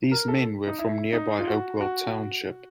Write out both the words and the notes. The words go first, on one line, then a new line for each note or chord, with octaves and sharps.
These men were from nearby Hopewell Township.
A#4
A4
D#4
E4
D#4
F4
F#4
F#4